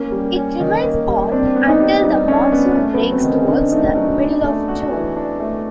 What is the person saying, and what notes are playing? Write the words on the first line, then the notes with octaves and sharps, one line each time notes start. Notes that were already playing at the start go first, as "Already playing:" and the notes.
It remains hot until the monsoon breaks towards the middle of June.
Already playing: A#3 C#4
G3
C#4
D#3
A#3
G3
C4 D4
B3
D#4
G4
G3 D#4
C#4 D4
B3 C#4
A3 C#4
B3
F#3
C4
D#3
C#4
D#3 D4
A3 D#4
C#4
F#3 D4
D4
A3
F#4
E3
D4
A3